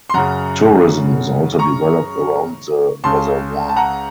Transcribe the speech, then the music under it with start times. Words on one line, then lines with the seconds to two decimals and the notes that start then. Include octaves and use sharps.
Tourism is also developed around the Reservoir.
0.10 C6
0.14 F#2 C#3 F#5 A#5
1.59 A#5 C#6
3.04 C#2 C#3 A5 C6
3.69 A5
3.76 F#5 A#5